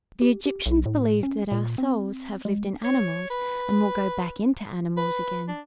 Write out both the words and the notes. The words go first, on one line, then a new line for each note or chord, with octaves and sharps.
"The Egyptians believed that our souls have lived in animals, and will go back into animals again."
G4
G4
B1
A2
C#4
A#2
C4
G#3
C#5
B4
B4
D4